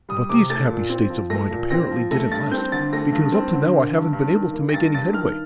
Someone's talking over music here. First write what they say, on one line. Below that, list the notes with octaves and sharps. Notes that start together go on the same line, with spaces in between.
But these happy states of mind apparently didn't last, because up to now I haven't been able to make any headway.
G3 D#6
C3 D6
A3 A6
A#2
C4
F3
A3 A#6
A#2
C4 A#6
F3
A3 A#6
G2 A6
C4 G6
D3 A6
A3 A#6
G2
C4
D3
A#3
G2
G2
D#3
A#3
A#6
G2 A6
G2 A6
D#3 F6